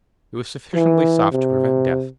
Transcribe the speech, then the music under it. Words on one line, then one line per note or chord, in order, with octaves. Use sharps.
It was sufficiently soft to prevent death.
E3
C3